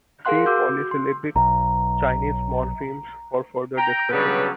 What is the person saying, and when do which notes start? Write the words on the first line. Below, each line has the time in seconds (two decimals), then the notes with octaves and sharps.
See polysyllabic Chinese morphemes for further discussion.
0.25 G#4 A#4 F5 F#5 C6 F#6
0.46 F#4 D6 E6 G6
0.91 C6
1.36 B1 A#5
3.77 G5 A#5
4.11 C#3 F#3 G3 B3 D4 B4